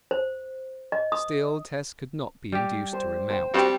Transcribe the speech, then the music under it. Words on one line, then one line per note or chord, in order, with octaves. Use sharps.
Still Tess could not be induced to remount.
C5
D#5
D#6
G3 G4
C5
C5 G5
G3 C4 F#4 C5 F#5